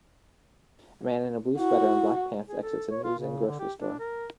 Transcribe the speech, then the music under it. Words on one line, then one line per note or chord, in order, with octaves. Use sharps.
A man in a blue sweater and black pants exits a news and grocery store.
E4 F#4
G#4
A4
C#5
F4
C#3
D3
G4
D4
A#4